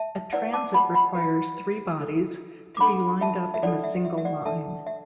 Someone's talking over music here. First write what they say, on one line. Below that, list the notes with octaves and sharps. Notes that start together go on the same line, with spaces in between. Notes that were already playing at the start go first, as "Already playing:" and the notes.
A transit requires three bodies to be lined up in a single line.
Already playing: E5 A5
E4 B4 D5 F#5
A5 D6
F#5 B5
F#5 B5
E4 B4
D4 A4
D6
D4 A4 F#5 B5
E5 A5
E5
D4 A4 D5 F#5
E5
E5
E5
D5 F#5
D4 A4 E5 A5
E5